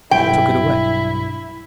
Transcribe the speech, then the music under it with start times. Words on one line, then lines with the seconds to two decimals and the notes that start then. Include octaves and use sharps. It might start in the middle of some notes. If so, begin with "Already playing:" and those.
"Who took it away?"
0.11 B1 G2 E4 G5